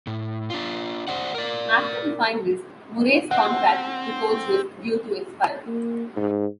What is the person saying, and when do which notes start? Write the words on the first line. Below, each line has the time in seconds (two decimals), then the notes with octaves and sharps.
After the Finals, Murray's contract to coach was due to expire.
0.07 A2
0.50 D4 F4
1.08 C5 D5 F#5
1.35 A#4 D5
3.31 C4 F#5
5.67 A#3
6.16 G#2